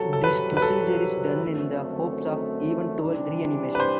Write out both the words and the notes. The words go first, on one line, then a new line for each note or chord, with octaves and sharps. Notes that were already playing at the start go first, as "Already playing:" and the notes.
This procedure is done in the hopes of eventual reanimation.
Already playing: C2 C3 F#3 A4
A4
B4
B4
A4
F#2 D3 A3 C4
C3 E3 G3 D4
B4
C5